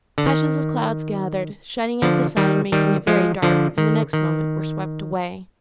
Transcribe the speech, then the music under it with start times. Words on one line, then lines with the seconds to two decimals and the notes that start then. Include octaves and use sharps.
Patches of clouds gathered, shutting out the sun and making it very dark, and the next moment were swept away.
0.18 D3
0.26 D#3
2.02 D3 F3
2.37 D#3 G3
2.72 D#3 G3
3.07 F3 G#3
3.42 D3 F3
3.78 D#3
4.13 D#3